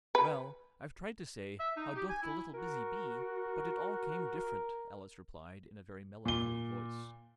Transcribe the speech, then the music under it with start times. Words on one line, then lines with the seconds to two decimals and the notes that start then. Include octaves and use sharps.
'Well, I've tried to say "HOW DOTH THE LITTLE BUSY BEE," but it all came different!' Alice replied in a very melancholy voice.
0.15 B4
1.58 E5
1.76 D#4
1.95 G4
2.08 G#5
2.22 E4
2.54 F#4 A#4
6.25 A#2 G7